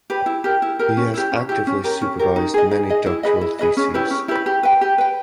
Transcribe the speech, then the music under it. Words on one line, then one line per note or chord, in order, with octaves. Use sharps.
He has actively supervised many doctoral theses.
G4 B4
E4
G4 A#4
E4
G4 A#4
C#4
E4 G4
C#4
E4 G4
C#4
G4 A#4
C#4
G4 A#4
D#4
G#4 D#5
D#4
G#4 D#5
E4
G#4 B4 D#5
E4
G#4 B4 D#5
C#4
E4 G4 B4
C#4
E4 G4 B4
G4
B4 G5
G4
B4 G5